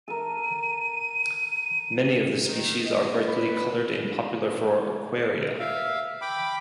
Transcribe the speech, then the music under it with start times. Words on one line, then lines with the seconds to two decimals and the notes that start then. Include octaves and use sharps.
Many of the species are brightly colored and popular for aquaria.
0.08 A4 A#4 D#7
2.45 D#3
2.84 D#5
3.24 B4
5.60 E5 F5
6.21 G5 B5 D6